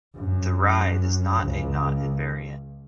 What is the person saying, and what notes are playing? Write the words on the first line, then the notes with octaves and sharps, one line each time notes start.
The writhe is not a knot invariant.
F#2
C#2